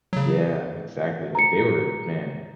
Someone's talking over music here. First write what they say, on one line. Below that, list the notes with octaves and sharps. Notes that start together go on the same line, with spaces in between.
Yeah. Exactly. Like, they were man,
C#3 F#3
A#5 C#7